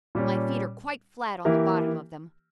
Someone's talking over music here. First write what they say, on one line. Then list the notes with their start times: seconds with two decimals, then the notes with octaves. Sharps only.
My feet are quite flat on the bottom of them.
0.15 A#2 G3 C#4
1.45 E3 A#3 E4 G4 A#4